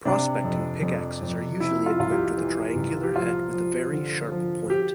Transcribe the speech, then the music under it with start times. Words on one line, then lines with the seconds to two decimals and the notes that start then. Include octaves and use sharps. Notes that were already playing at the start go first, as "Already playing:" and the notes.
Prospecting pickaxes are usually equipped with a triangular head, with a very sharp point.
0.05 C3 D4
0.44 F2
0.82 F2
1.22 F2
1.60 C3 E4
1.86 F4
1.99 C2 F4
2.12 G4
2.37 E3
2.76 C2
3.03 G4
3.16 F3 F4
3.54 F3
3.92 D3
4.32 F3
4.70 G4